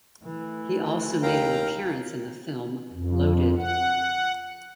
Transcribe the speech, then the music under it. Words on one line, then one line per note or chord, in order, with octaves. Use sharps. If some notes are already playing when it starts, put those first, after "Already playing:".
He also made an appearance in the film "Loaded".
E3 A3
D#2 F5 G5 A#5
F2
F#5